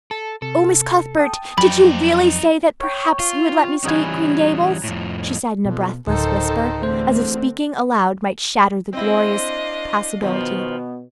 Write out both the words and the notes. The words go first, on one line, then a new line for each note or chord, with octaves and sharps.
"Oh, Miss Cuthbert, did you really say that perhaps you would let me stay at Green Gables?" she said, in a breathless whisper, as if speaking aloud might shatter the glorious possibility.
A4 A5
C3 A4
G5 A5 D#6
F2 F#3 D#4 D5 G5 B5
C#5 G5
F4
E3 G3 C#4 D#4 B4 G#5
F2 A2
F2 B2
D1 D#3 D#4 A4 C5
E2 D3 A3 C4 C5
C4 D4 E4 D#5 F5
B2 D#3 F3 B3